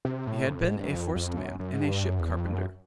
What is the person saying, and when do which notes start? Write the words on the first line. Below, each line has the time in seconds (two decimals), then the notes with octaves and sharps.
He had been a forced man, and a ship carpenter.
0.05 C3
0.27 A2
0.49 F2
0.61 A2
0.69 G#2
0.76 G2
0.85 F#2
0.93 F2
1.15 F2
1.37 F#2
1.59 F#2
1.74 G#2
1.81 G2
2.04 F#2
2.20 E2
2.36 F2
2.53 F#2